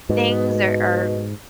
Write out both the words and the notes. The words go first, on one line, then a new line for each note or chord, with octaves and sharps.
things or or,
G#2 B2